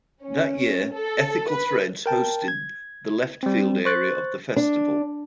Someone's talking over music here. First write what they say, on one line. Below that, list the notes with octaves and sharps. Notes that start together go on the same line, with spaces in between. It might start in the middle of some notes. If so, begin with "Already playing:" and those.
That year, Ethical Threads hosted The Left Field area of the festival.
C#4
A4
B4
A#4 G5 A5
G#6
G3 C4
C5 C#6 F#6 A6
D4